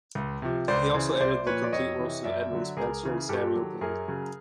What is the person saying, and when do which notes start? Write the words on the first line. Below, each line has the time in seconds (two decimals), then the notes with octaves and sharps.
He also edited the complete works of Edmund Spenser and Samuel Daniel.
0.15 C#2
0.42 C3 F3
0.68 C#2 C5 D5
0.94 C#3 E3
1.20 C2 C5 D5
1.47 A#2 F3 B4 C#5
1.64 D5
1.72 F2 C#5 D#5
1.99 C3 E3
2.24 F#2 D5 E5
2.51 D3 F#3
2.77 C#2 G#4 A#4
3.03 C#3 E3
3.29 G2 G4 A4
3.55 D#3 F#3
3.81 F#2 G#4 A#4
4.08 C#3 F#3